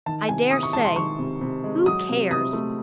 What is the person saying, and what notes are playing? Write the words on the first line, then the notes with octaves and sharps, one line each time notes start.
I dare say. Who cares?
D#3 A5
C3 G#5
C3 D#6
C#6
G#3 A5
C6
D#3 C#6
C3
C3
G#3
F#3 D#6
C3
C3 D#6
A3